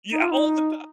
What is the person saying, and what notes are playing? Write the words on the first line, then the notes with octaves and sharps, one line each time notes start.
Yeah, all the time.
D#4
F4
D#4